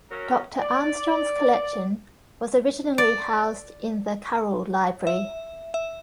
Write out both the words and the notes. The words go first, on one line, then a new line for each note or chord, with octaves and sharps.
Doctor Armstrong's collection was originally housed in the Carroll Library.
F#3 C#4 F#4 A#4
D5
D5
E5
E5